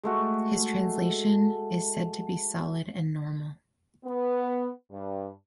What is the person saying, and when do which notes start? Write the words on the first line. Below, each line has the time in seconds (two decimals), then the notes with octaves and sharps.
His translation is said to be solid and normal.
0.03 G#3 A3 F#4
4.04 B3
4.91 G2